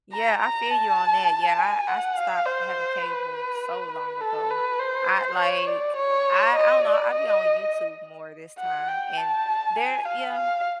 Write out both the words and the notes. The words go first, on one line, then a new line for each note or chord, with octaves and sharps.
Yeah, I feel you on that. Yeah, I I stopped having cable so long ago. I like, I I don't know, I be on YouTube more this time and there yeah.
A#5
A#5
A5
G#5
F#5
F5
C5
B4
B4
A4
B4
C5
C#5
D5
C#5
D#5
D5
D#5
F#5
G5
A5
G#5
F5
F5